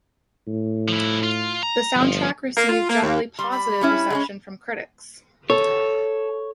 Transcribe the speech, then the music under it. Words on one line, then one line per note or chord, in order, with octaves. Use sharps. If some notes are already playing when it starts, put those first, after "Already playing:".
The soundtrack received generally positive reception from critics.
A2
F3 E4
F4
A#5
G1 F3
A#3
F4
A#3
D#2
G3 C6
B5
G3 C#4 E4
G#3 A#3 C#4
A4 C#5